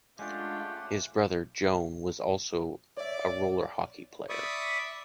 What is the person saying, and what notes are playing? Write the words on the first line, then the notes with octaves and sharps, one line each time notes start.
His brother Joan was also a roller hockey player.
G#3 A3 C#4 D4 F4 G4 F#5
C#5 D5 E5
D5 E5 B5 C#6 D#6